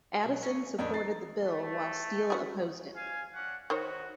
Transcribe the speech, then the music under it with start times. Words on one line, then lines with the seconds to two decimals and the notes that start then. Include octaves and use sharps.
Addison supported the Bill while Steele opposed it.
0.23 B2 F#3 E5
0.43 D#2 C#4
0.79 F2 D#3 C#4 D4
0.94 D#4 A6 C7
1.42 A3
2.30 C#4 F#4 G#4
2.96 F5 G#5
3.35 C#4 D4 F#5
3.70 D#3 B3 F#4 C5 C#5